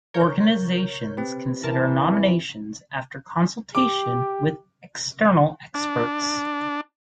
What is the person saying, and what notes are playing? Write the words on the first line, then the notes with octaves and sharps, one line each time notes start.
Organisations consider nominations after consultation with external experts.
A#4 C#5 G6
C4 G4 B4
C3 E3 A#4 A5
G4 D6
D4